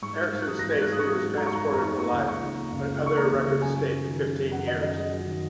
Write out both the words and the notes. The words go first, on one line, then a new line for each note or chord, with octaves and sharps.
Erickson states that he was transported for life, but other records state fifteen years.
G#2 C#6
D#4
G#2
F#6
F#3 D#6
A#6
G#2
G#6
D#4 F#6
G#2 D#6
C#6
F#3 D#6
G#2
D#4 A#5
C#6
G#2 A#5
F#3 C#6
A#5
D#4 C#6
A#5
A#3 C#6
C#2 A#5
C#3 C#6
D#4
A#3
C#2
C#3
D#4 C#6
A#3 A#5
C#2
C#3
F#2 G#5
F#3
F#2
D#3
F#2
F#3
F#2 F#5
D#3 D#5
F#2 D#5
F#3
F#2
D#3